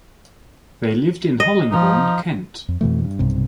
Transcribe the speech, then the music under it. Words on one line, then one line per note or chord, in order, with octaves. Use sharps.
They lived in Hollingbourne, Kent.
D#5
F3 D#4
F2
F2 B2 E3 A3
G2
B1 G2 C3